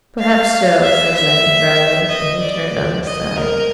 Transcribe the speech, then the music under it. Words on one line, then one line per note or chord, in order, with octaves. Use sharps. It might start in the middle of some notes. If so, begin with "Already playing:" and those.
"Perhaps so," said Levin dryly, and he turned on his side.
F5
E5
E5
D#5
D5
D#5
A#4